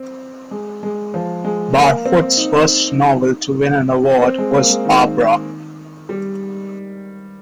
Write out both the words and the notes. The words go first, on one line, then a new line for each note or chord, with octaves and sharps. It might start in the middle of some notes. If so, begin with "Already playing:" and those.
Barfoot's first novel to win an award was "Abra".
Already playing: C4
G#3
G#3
F3
G#3
A#3
C4
D#4
C4
G#3
A#3
G#3
D#3
G3